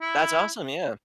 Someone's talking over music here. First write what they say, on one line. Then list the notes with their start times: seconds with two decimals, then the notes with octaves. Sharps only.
That's awesome, yeah.
0.01 E4